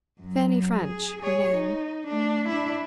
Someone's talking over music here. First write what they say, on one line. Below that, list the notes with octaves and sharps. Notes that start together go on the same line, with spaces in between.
Fanny French, her name.
F#2 F#3
G#4
G#4 C#5
D#4
A3 D4
D4 E4